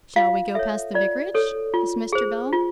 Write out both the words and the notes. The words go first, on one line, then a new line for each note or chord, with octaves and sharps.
'Shall we go past the vicarage?' asked Mr. Bell.
F4 F5
A4 C#5 E5
F4 D5
A4 C#5
F4
G#4 C5
F4